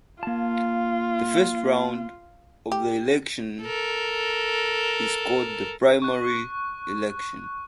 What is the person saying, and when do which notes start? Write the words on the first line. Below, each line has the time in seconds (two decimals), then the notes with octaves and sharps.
The first round of the election is called the primary election.
0.23 A#3 F4 A5
2.72 G4
3.63 A4 A#4
6.02 C#6 F#6